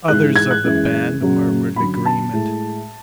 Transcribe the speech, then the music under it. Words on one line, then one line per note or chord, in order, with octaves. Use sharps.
Others of the band murmured agreement.
G#2 E3 G#3 F#6
G#6
F#6
F#2 E3 G#3
F#2 C#3 F#3
F#2 D3 F#3 B5
A5
A2 G#3